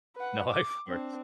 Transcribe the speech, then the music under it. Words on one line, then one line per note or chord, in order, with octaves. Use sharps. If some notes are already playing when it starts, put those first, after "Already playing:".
No, I of course.
B4 F#5
D6
C4 D4